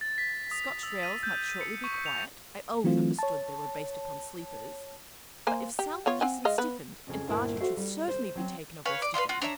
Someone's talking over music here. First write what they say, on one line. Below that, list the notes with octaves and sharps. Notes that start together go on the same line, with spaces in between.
Scotch rails might shortly be quiet-- I always understood they were based upon sleepers; but if South-Eastern stiffened, advantage should certainly be taken of their stiffening.
A6
B6
D#6
E6
D#7
G6
D#7
C#7
C#6
F7
E3 F#3 A3 C4 F4
C#5 A5
A#3 C5 G#5
G4
B3 F4 C#5
C4 F#5 G#5
G#3 D#5 F5
B3 B4
F2 C#3 F4
D2 G2 A#2 E4 A#4 A5
F4 F#4 A4 C5 E5 F5
G3
C5
F#3 C4
B4 C#5 F5 G#5
D5
B4 D5 F5 C6
F4 F#4
D4 C#5 E5 A#5